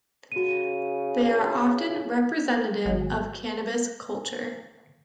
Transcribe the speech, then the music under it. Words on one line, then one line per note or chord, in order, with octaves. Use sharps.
They are often representative of cannabis culture.
C#3 F#4 D#7
G#1 F#3 G#3